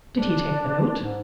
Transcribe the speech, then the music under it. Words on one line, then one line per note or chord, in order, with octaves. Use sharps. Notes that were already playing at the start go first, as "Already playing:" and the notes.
"Did he take the note?"
D4
G#2